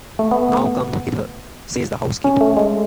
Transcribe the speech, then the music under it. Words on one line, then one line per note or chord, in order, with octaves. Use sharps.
"Now, come hither," says the housekeeper.
A3
B3
C#4
A3
G#3